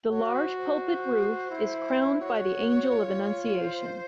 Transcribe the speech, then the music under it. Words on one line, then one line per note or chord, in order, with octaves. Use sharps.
The large pulpit roof is crowned by the Angel of Annunciation.
F#4 C#5
C5
C5
E4
F#4 C#5
F4
C5